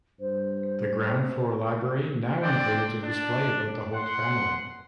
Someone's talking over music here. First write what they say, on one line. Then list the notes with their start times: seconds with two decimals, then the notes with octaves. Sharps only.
The ground floor library now includes a display about the Holt family.
0.20 G2 C5
2.42 C4 D4 D5 G5
3.04 D4
3.94 F#5 C6